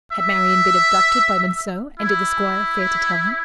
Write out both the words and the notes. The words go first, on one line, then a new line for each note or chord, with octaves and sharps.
Had Marian been abducted by Monceux, and did the Squire fear to tell him?
E5
E4